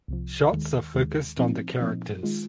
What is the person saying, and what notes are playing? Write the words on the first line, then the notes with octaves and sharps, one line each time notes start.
Shots are focused on the characters.
C2 C3 F3
D#2 D#3 G#3
D#2 D#3 G#3
A#2 F3 C4 D#4
A#2 F3 C4 D#4
D#3 G#3 F4